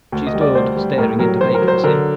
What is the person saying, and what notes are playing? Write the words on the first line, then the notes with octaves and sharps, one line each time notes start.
She stood staring into vacancy.
D2
D#5
G3
D5
D2 C5
G3
A2 A#4
F#3 A#4
F#3 C5
A#4
F#3
C5
D3 A#4